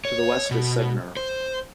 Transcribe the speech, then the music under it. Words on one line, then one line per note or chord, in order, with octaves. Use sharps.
To the west is Segner.
C#5
B2
C5